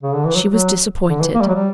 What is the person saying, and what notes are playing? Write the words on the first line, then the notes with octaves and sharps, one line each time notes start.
She was disappointed.
C#3
D3
E3
F#3
F#3
D3
E3
A#3
G3
F#3
G3